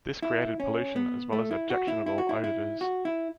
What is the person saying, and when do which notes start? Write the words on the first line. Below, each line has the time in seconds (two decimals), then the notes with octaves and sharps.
This created pollution as well as objectionable odors.
0.22 E4
0.60 C#4
0.96 B3
1.33 A3
1.51 E4
1.70 F#4
1.88 E4
2.06 E4
2.18 F#4
2.29 E4
2.44 E4
2.81 F#4
3.05 E4